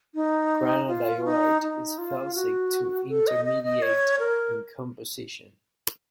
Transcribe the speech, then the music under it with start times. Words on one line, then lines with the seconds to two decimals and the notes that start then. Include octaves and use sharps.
Granodiorite is felsic to intermediate in composition.
0.15 D#4
0.88 F4
1.25 D#4
1.62 D#4
1.98 F4
2.35 F#4
3.09 A4
3.27 D#5
3.45 D#5
3.64 D#5
3.82 C#5
4.20 A#4